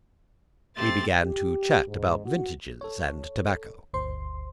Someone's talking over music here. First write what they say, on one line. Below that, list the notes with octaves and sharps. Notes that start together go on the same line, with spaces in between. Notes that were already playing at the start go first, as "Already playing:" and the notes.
We began to chat about vintages and tobacco.
A3 C4 G4 C6 A6
G4
G#2
F#4
A4 C#5
G1 D2 C5 C6